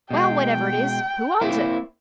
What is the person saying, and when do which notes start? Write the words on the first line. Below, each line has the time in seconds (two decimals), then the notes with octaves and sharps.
"Well, whatever it is, who owns it?"
0.11 B2 G#3 G5
1.41 A#3 C4 E4